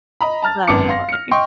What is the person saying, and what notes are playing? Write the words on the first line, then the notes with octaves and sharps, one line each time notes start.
That's funny.
D#5 A#5 B5
A5 A#5 F6 A6
G#1 F#2 B3 A5 D6 C#7
F5 C6 A#6
F6 C#7
D#5 G5 C6 C#6